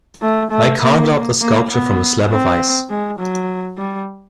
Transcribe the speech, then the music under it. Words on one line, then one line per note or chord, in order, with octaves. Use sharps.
I carved out this sculpture from a slab of Ice.
A3
A3
A#3
A#3
B3
C4
G#3
F#3
G3